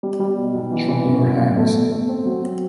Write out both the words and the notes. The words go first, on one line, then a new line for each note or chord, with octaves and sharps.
Show me your hands!
G3
G3
B2
B1
E3
E3
F#2
F#2
G1
A3
G1
A3
C4
F#3
F#3